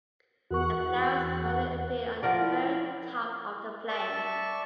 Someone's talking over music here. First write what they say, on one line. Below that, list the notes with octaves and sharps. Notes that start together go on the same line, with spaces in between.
The flowers only appear on the very top of the plant.
E2 F#4 A#4 F#5 C#6 F#6
F3 A#4 D5 F#5
E4
D5 E5 A5 C#6